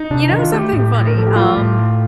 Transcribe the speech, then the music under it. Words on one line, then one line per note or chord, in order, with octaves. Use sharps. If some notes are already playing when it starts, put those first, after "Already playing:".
You know something funny, um,
Already playing: D#4
C3 D4
D#4
D#3
F4
A3 G4
A2
G4
A2
A#4
F3 A4
G4
A3 F4
A2
A2